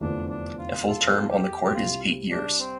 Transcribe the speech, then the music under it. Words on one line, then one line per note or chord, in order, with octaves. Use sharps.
A full term on the court is eight years.
F1 E2 D3 F3 D4
D4
F4
F4 A4
G4
G4
C2 C3 G3 F4
D4
C4